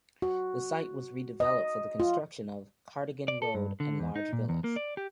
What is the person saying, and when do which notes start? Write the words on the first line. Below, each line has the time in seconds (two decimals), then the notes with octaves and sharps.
The site was redeveloped for the construction of Cardigan Road and large villas.
0.22 F#4
1.40 D#5
2.00 F4
3.28 D5
3.42 A4
3.54 G2
3.80 D3
4.00 E2
4.16 D#4
4.33 A#2
4.49 E2
4.64 A#3
4.76 D5
4.97 G4